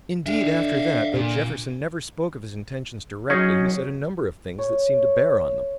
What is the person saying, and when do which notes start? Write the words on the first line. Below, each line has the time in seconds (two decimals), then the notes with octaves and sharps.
Indeed, after that, though Jefferson never spoke of his intentions directly, he said a number of things that seemed to bear on them.
0.26 D3 E5 F5
1.13 A#2
3.30 F#3 C#4 D#4 G#4
4.59 C#5